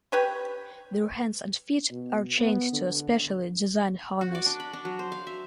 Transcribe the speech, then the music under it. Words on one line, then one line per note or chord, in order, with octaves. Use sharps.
Their hands and feet are chained to a specially designed harness.
G4 B4 C#5
B2
B3
D3
F#4
D5
D4
B5
D4
F#3
C5
F5
E5